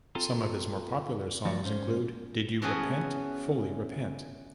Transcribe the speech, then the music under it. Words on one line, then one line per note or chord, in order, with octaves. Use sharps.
Some of his more popular songs include Did You Repent, Fully Repent?
C4 F4 A4 A#5 C6
F3 A3 F#4 C#5 D5
G#2 C#4 C5
E3 B3 C#4 F#4 G#4 A5